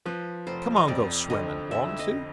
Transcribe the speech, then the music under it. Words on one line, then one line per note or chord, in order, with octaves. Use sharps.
"Come on go swimmin'--want to?"
F3 B4
F1 C5
D#5
F2 D5
D3 D#5
D3 E5
D#5